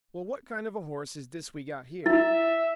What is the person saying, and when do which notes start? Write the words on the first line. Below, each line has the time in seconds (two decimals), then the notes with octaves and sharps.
Well, what kind of a horse is this we got here?
2.06 E4 E5